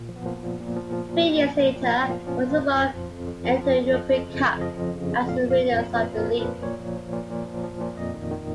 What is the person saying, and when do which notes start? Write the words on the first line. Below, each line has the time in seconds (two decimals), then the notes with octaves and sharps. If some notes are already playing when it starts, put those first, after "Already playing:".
Three years later, Rosenborg entered the European Cup as winners of the league.
Already playing: A#2
0.09 F3
0.16 B3
0.26 F3 A#3
0.43 A#2
0.60 A#2
0.76 F3
0.92 F3
1.09 A#2
1.27 A#2
1.44 F3
1.59 F3
1.76 A#2
1.93 A#2 B3
2.10 F3 A#3
2.27 F3 C#4
2.43 A#2 F4
2.60 F2
2.76 F3
2.93 F3
3.11 F2
3.27 F2
3.44 F3
3.61 F3
3.78 F2
3.94 F3 D#5
4.11 F2
4.29 C#3
4.45 F2
4.61 F3 D#5
4.78 F2
4.95 C#3
5.12 F2
5.29 A#2 F5
5.46 F3 F5
5.62 F3
5.78 A#2
5.95 A#2 B4
6.13 F3
6.18 A#4
6.30 F3
6.40 B4
6.45 A#2
6.62 A#2 C#5
6.79 F3
6.97 F3
7.13 A#2
7.29 A#2
7.46 F3
7.64 F3
7.81 A#2
7.97 F2 D#5
8.14 D#3
8.31 D#3